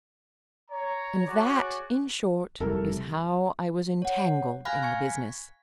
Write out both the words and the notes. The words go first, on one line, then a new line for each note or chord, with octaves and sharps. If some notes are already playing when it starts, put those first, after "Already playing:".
And that, in short, is how I was entangled in the business.
C#5 A#5
F#4 G#4 C#5 D5
F1 C3 G3 E4 A4 A#4
C#5 F#5
F5 G#5 B5 F6 F#6 A#6
G#5 C#6 G#6 C#7
B6